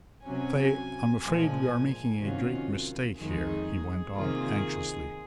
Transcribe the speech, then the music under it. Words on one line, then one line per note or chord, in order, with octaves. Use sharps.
"Say, I'm afraid we are making a great mistake here," he went on anxiously.
C3 F#3 C#4 G#5
A#2 F3 G#3 G#5
C3 D#3 F#3 C#4 F4
F2 D#3 G#3 D#4 G#4
C3 D#3 A#3 F4 G#4